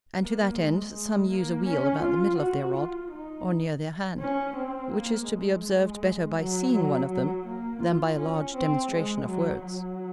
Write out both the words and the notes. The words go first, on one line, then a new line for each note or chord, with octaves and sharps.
And to that end, some use a wheel about the middle of their rod, or near their hand, which is to be observed better by seeing one of them than by a large demonstration of words.
A#3
G#3
G#3
A#3
C#4
F4
F#4
F4
D#4
C#4
C4
A#3
G#3
F#3
F#3
F#3
A#3
F4
C#4
C4
G#3
F#3
F#3